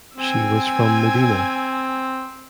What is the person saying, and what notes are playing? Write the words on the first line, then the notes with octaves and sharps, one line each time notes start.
She was from Medina.
C4 G#5 E6